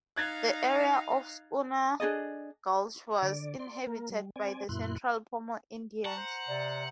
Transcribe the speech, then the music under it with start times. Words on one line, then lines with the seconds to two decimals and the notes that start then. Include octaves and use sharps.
The area of Schooner Gulch was inhabited by the Central Pomo Indians.
0.16 D#4 F5 F#6 G#6 A6
2.00 D4 G#4 A4 D#5
3.22 D3 D5
3.59 D5 C6
3.87 A#3 A#4
4.10 G3
4.36 C4 D5 G#5
4.69 F#2 A#2 E4 C6 F#6
6.05 F#5 A5 A#5 C#6
6.17 C5 A#5
6.48 C3 D5